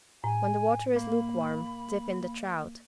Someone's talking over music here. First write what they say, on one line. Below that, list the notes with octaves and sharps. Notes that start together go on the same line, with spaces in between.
When the water is lukewarm, dip in the trout.
A2 G#5
A#3 B5